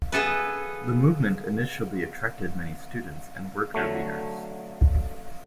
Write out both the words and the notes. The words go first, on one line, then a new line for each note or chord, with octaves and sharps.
The movement initially attracted many students and worker leaders.
B3 G#4 A4 B4
D3 F#3 A3